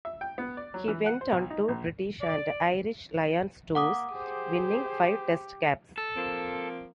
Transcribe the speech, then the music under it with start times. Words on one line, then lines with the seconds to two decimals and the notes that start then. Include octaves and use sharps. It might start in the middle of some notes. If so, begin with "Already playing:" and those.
He went on two British and Irish Lions tours, winning five test caps.
0.05 E5
0.21 G5
0.38 B3
0.57 D5
0.74 F#3
0.88 E3
1.06 F#5
1.21 C5
1.32 B1
1.50 D#4
1.68 A#1
2.21 D5
3.75 A#3 F#5 D6 D#6
4.12 G4 G#4 C5
5.98 A4
6.16 F3 A#3 C4